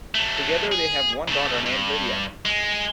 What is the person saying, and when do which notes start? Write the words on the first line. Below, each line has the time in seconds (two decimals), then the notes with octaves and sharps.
Together they have one daughter named Lydia.
0.15 F#3 A3
0.72 G#4
1.28 C#3 A3
1.66 G2
2.45 G#3